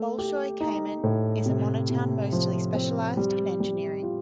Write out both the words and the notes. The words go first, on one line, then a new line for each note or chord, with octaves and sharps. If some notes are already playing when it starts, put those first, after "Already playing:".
Bolshoy Kamen is a monotown mostly specialized in engineering.
Already playing: A3
G4
D#4
A2
C3
C3
F3
C4
G3
G3
F4